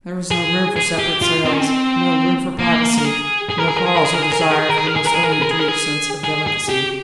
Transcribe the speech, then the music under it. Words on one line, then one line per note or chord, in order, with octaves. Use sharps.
There was no room for separate cells, no room for privacy, no cause or desire for the most elementary sense of delicacy.
G#4
G#4
G4
F4
C4
C#4
C4
A#3
A#4
G#4
G#4
A#4
G#4
A#4
G#4
A#4
G#4
A#4
G#4
A#4
G#4
A#4
G#4
A#4
G#4
A#4
G#4
A#4
G#4
A#4
G#4
A#4
G#4
A#4
G#4
G#4
G#4
G4